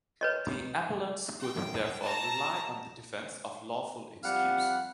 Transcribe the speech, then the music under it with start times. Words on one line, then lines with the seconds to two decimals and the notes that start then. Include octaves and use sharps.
The appellants could therefore rely on the defence of lawful excuse.
0.21 B4 C#5 D#5
1.40 G5
2.01 A5 A#5
4.23 F2 G3 F5 F#5